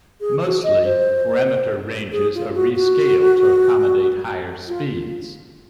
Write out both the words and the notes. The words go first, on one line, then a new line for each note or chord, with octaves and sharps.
Mostly, parameter ranges are rescaled to accommodate higher speeds.
G#4
F#4
D#5
C5
G#4
F4
F#4
F#4
F4